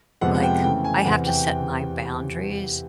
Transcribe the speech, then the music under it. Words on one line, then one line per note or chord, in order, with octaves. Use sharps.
like, I have to set my boundaries
F2 C3 F3 G#3 B3 F#5
F#5
G5
C#3 E3 A3 G5
G#5
E2 C3 E3 F#5
G5